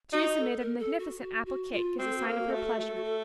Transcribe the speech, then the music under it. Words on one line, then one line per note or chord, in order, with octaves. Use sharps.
Teresa made a magnificent apple-cake as a sign of her pleasure.
D#4 F#4
A4
A#4
A4
F#4
F#4
F#4
F4
C4 F#4
A4
F#4
A#3 A4
F#4
A4
A3 F#4
A4
A3 F#4
A4
F#4
A4